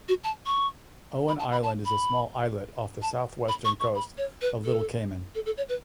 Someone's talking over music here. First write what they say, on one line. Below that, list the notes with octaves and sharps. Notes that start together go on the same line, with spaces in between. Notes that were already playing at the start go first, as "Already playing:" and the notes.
Owen island is a small islet off the south-western coast of Little Cayman.
F#4
A5
C#6
B5
A5
B5
A5
B5
A5
B5
C#6
C#6
B5
C#5
B4
A4
A4
A4
C#5
B4